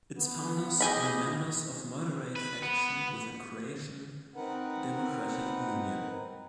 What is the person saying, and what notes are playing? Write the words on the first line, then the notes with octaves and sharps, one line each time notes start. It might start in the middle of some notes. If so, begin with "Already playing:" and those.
Its founders were members of moderate faction within Croatian Democratic Union.
B3
G4 G#4 D#5 G#5 B5
B4
B3
C4 D#4 A#4 B4 F#5